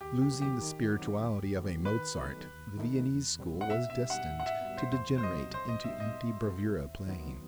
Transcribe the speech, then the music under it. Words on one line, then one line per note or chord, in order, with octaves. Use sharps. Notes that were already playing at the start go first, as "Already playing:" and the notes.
Losing the spirituality of a Mozart the Viennese school was destined to degenerate into empty bravura playing.
D#2 G4
G4
D#3 F#3 B3
G4
D#3
F#3 C4 D#4 F#4
D#2
D#3 A3 C4 F#4
D#3 B4
F#3 B3 D#4 A4
D#2
D#3 A3 D#4
E2
B2 G3 C4
F#5
B2 E5
E5
G3 D#4 G4
F#5
A2
F#5
E5
G3 B3
C5
E2 C5
C5
C3 F#3 D#5
C2 C5
D#5
B2 G3 B3 D#4 E5
D#5
B2
G3 C4 F#4 A4
D#2
D#3 F#3 B3